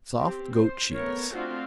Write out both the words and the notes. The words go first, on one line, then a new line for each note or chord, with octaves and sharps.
Soft goat cheese.
C4 G4
C5
A3 B3 A#4 C#5
A3 C4 D4 F4 F#4 F5